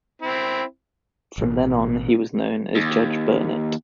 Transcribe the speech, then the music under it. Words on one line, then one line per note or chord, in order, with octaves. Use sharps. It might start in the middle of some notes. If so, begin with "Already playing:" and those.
From then on he was known as Judge Burnet.
C4 E4
A1 B2
D#2